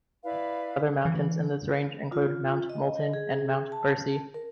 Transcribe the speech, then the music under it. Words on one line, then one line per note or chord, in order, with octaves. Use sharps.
Other mountains in this range include Mount Moulton and Mount Bursey.
E4 B4 D5 F5
E3
F4
D#5
G#4
A5
A#4